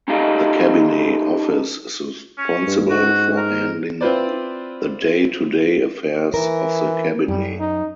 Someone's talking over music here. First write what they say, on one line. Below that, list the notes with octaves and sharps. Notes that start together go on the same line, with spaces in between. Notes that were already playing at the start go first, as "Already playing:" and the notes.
The Cabinet Office is responsible for handling the day-to-day affairs of the Cabinet.
C#4 D#4 G4 A4 D#5 F5
C#4
G2
G#2 F#4
A#4
C4 E4 F4 B4 C5 D5
E3 A#4
F#2 G3
D#4